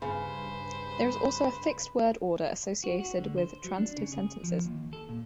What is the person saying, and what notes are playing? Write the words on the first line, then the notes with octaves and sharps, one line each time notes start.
There is also a fixed word order associated with transitive sentences.
G2 C#3 B4 C5
F#4
F#4
D3
C5
F#3
D4
C#3
G#4
F3
D#2
A4
A#2